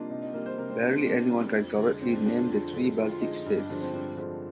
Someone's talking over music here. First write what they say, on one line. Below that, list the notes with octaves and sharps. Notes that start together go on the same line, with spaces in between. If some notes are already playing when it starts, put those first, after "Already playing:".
Barely anyone can correctly name the three Baltic states.
Already playing: C3 G3 A#3 D4 D#4 F4
C3 D#4
D#4
G3 A#3 A#4
C5
C3 A#4
C4
G3 A#3 D4
C4
C3 D4
G3 A#3
F2
D3 G#3
F2 C4
D4
D3 G#3 D4
F4
F2
D3 G#3
F2 F4
F4
D3 G#3 D#4
D#4
G2 D#4
D4
D3 F3 G#3 D4
C4
G2 D4
D3 F3 G#3